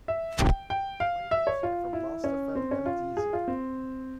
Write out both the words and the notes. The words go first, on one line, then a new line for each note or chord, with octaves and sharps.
Play music from Lastfm and Deezer.
E5
G5
G5
F5
E5
C#5
F4
E4
C#4
C4
C#4
F4
G#4
F4
C4